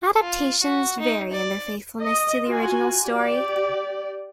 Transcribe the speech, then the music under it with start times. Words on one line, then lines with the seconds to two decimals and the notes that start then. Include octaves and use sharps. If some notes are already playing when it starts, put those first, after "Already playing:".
Adaptations vary in their faithfulness to the original story.
0.21 F4
0.62 F#4
1.00 D#4
1.33 D5
2.02 D#5
2.46 F4 F#4 G#5
3.04 G4 D5